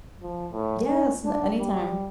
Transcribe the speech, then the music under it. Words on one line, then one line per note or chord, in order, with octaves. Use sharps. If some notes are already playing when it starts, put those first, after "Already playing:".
Yes. Na anytime.
F3
A2
C#4
D4
G3